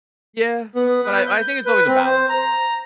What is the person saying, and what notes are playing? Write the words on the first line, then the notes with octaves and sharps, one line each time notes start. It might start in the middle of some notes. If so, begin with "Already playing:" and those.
Yeah. But I I think it's always a balance, really.
B3
B4
G6
B4
C4
C5
A#5